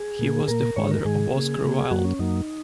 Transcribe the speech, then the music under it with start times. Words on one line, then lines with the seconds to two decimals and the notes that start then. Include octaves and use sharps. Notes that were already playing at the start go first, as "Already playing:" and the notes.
He was the father of Oscar Wilde.
Already playing: G#4
0.19 A#2 A#3
0.48 A#2 A#3 A#4
0.76 G#2 D#3 G#3 C#5
0.91 A#4
1.05 G#2 D#3 G#3 G#4
1.33 C#3 A#3
1.62 C#3 A#3
1.90 F#2 F#3 A#3 F#4
2.05 C#4
2.19 F#2 F#3 A#3 D#4